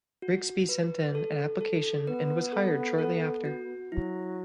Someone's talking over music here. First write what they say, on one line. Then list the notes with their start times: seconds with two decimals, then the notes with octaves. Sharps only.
Rigsby sent in an application and was hired shortly after.
0.22 F#4
0.69 B4
1.15 A4
1.61 A4
2.07 B3 B4
2.53 A4
2.99 A4
3.45 F#4
3.92 F#3 E4